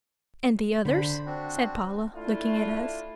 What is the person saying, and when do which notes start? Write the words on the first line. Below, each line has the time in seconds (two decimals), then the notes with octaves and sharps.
"And the others?" said Paula, looking at us.
0.85 D3 C5 B5
1.26 C4 D4 F#4
2.14 A3 D4 E4 F4